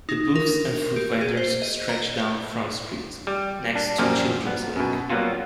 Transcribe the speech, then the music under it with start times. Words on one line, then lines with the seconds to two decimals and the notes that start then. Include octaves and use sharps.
The booths and food vendors stretch down Front Street, next to Children's Lake.
0.09 D#4
0.35 A#4
0.96 G4
1.21 G#4
1.37 C5
1.62 D#5
1.89 A#5
3.27 G3
3.75 D4
3.98 F#2 A#2 F3 G3 A#3
4.47 B3
4.76 F#2 B2
5.10 F#3 G3 A#3 B3 F4 F#4